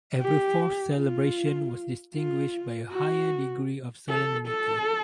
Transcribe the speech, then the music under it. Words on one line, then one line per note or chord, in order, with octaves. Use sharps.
Every fourth celebration was distinguished by a higher degree of solemnity.
G4
F4
F4
F#4
A4
A4